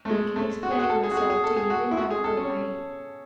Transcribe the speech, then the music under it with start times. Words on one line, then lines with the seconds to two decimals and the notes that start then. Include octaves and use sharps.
"I can explain myself to you in no other way."
0.05 A3
0.10 G#3
0.36 A3
0.63 F#4
0.71 G#4
0.79 F#4
0.90 A4
1.03 G#4
1.11 F#4
1.17 G#4
1.30 G#4
1.44 A4
1.56 G#4
1.70 F#4
1.91 E4
1.97 F#4
2.10 G#4
2.24 A4
2.37 C#4